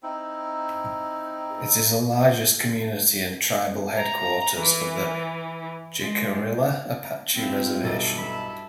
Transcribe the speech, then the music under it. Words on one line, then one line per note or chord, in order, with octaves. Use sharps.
It is the largest community and tribal headquarters of the Jicarilla Apache Reservation.
C4 D#4 E4
A#5
E3
G#3
F3 C4 E4 F4
B1 G2 A3 A4
E4 A4 B5